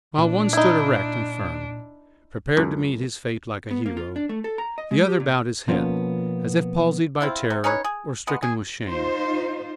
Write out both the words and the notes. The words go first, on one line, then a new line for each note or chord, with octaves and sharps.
While one stood erect and firm, prepared to meet his fate like a hero, the other bowed his head, as if palsied by terror or stricken with shame.
A#2 D4
D#4 E4
C#2 F#2
B3
A#3
F4
D4
A3
A4
A#5
D#5
G#3
G4
A#2
B2 F3 A#3 B3 C#4
C4 E4 F4
C3
C#4 D#4 B4 C#5
G#4
G#3 B3
G#4
D#4 F4 C5